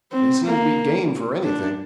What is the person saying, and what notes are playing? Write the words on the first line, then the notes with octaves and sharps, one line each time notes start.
They seem to be game for anything.
C4
A#3
D4